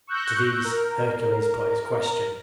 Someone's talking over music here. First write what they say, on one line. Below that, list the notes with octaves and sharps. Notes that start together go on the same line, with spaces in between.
To these Hercules put his question.
C#6 E6 F#6 G6 A#6
A#4